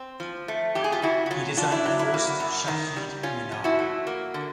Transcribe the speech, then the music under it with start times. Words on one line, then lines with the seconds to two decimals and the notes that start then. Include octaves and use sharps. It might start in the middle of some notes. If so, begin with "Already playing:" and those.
He designed the first Shaheed Minar.
Already playing: C4
0.20 F3
0.48 A3
0.75 F2 G4
0.84 G#4
0.92 F4 G4
1.02 C#3 E4 F#4
1.26 F#4
1.31 F#3 F4
1.57 D4 F4
1.72 E4
1.86 F#3
1.99 E4
2.14 A#3
2.40 F#2
2.68 D#3
2.96 G3
3.23 C#4 F4
3.52 F3
3.64 E4 F#4
3.79 A3
4.07 A#3
4.34 D3